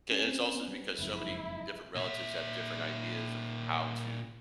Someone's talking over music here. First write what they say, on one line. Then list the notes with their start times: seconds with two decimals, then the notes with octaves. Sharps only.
and it's also because so many different relatives have different ideas of how to
0.11 C#4
0.24 C4
0.40 C4
0.55 B3
0.68 G3
0.99 F#1 F2 G#2 E4
1.96 A#2 E5